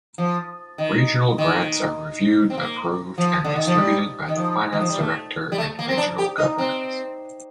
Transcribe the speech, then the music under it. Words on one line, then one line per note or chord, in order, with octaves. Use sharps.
Regional grants are reviewed, approved, and distributed by the Finance Director and Regional Governors.
F3
D#3
D#3
C4
A#3
F3
D3
D#3
F3
G3
D#3
F3
D#3
F3
G3
A3
G3
A3
A#3
C4
D4
G4
D#4
C4